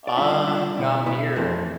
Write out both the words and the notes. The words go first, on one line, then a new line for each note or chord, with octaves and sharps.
Uh, no, I'm near
D5
D3 G3 D4 F4 E5
F5
D3 G3 D4 F4 E5
B2 B3 E4
B2 B3 E4 E5
F2 E3 A3 C4